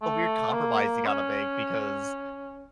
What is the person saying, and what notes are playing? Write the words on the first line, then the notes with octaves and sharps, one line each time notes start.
a weird compromise you gotta make because,
A3
A#3
C#4